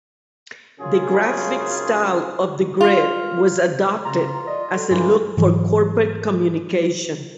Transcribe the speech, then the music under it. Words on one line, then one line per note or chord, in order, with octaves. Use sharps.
The graphic style of the grid was adopted as a look for corporate communication.
G#1 F#2 C#3 C#4 F4 G#4
F4
C#3 F4 A#5
D5 D#5
A4
G2 C#3 E3 G#3
G#2 E3 F#3